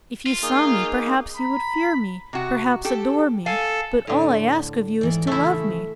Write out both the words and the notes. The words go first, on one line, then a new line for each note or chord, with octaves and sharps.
If you saw me, perhaps you would fear me, perhaps adore me, but all I ask of you is to love me.
F4
A#3 D#4 G#4
A#5 B5
C3 F#4
G4 A4
A4 F5 G#5
A2 D3
G#2 E3 D5
C#3 E3 A3 C#4 E4